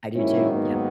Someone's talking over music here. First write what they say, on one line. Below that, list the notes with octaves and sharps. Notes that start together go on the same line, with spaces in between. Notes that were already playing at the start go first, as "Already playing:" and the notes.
I do too, yeah.
G#2 D#3 F#3 A#3 C#4 E4
B3 D#4